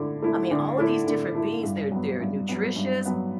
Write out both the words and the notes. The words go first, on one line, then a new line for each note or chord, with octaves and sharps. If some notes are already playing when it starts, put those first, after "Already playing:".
I mean, all of these different beans, they're they're nutritious
Already playing: D3 A3 E4
A3 E4
D3
A3 E4
D3
A3 E4
G2
F#3 B3
G2
F#3 B3
G2
F#3 B3